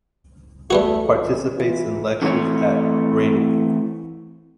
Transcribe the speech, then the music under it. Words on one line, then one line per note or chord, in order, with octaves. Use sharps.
Participates in lectures at "Brain Week".
E2 G3 A3 B3 F#4
F2 E3 F3
E3 F4
D3 E3 A3 C4 C#5